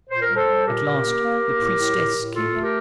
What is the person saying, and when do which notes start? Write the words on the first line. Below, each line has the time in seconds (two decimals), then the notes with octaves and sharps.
At last the priestess came in.
0.09 A#2 C5
0.22 A#4
0.28 G3
0.35 A4 C5
0.47 G3
0.66 A#2 G4 A#4
0.84 A#2
1.02 A#3
1.21 A#3
1.40 A#3
1.59 A2
1.77 A2
1.95 A2
2.15 A2
2.33 A3 F4 A4
2.53 A3
2.61 G4 A#4